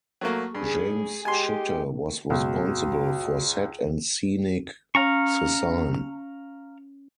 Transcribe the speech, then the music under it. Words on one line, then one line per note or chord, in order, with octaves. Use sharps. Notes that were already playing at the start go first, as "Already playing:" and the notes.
James Schuette was responsible for set and scenic sesign.
F#3 A3 A#3
G2 G#4
G#3 G4 G#5 C6
F#1 C#2 B2 F#4
C#4 F5 A#5 C#6